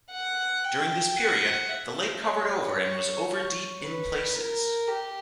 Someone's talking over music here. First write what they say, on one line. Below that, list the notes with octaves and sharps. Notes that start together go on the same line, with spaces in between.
During this period, the lake covered over and was over deep in places.
F#5
G5
F#5
E5
C#5
B4
A#4
G4